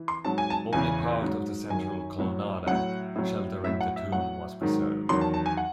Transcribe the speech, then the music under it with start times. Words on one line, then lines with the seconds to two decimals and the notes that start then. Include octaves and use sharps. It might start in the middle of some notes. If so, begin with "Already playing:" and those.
Only part of the central colonnade, sheltering the Tomb, was preserved.
Already playing: E3
0.08 C6
0.25 G#2 F#3 A5
0.38 G#5
0.50 A5
0.73 E2 C#3 E3 G#5
1.22 G#2 F#3
1.70 F#2 D#3 F#3 G#5
2.19 A2 F#3
2.66 A2 F#3 F#5
3.16 A2 F#3
3.63 A2 F#3 E5
3.81 F#5
3.96 E5
4.12 A2 F#3 F#5
4.61 G#2 D#3 F#3
5.09 E2 D#3 F#3 C6
5.21 A5
5.34 A5
5.46 G#5
5.57 F#5